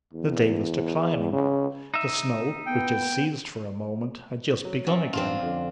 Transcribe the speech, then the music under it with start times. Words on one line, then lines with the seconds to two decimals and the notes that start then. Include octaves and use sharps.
The day was declining; the snow, which had ceased for a moment, had just begun again.
0.13 E2
1.33 C#3
1.94 D#4 E5
2.66 B3 G5
4.65 F#3
4.87 F#2
5.13 A1 G2 C4 D4 F4
5.43 F2 D3